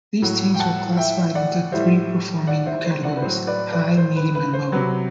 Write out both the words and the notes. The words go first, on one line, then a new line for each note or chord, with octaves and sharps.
These teams were classified into three performing categories: high, medium and low.
A2 F#3
G5
F#5 A5
E5 G5
D5 F#5
A2 E3 G3 C5 E5
D5 F#5
C5 E5
C5
D5 F#5
B4
A2 F#3 C5
B4 D5
B4 D5
C5
B4
B4
C5
C3 F#3 B4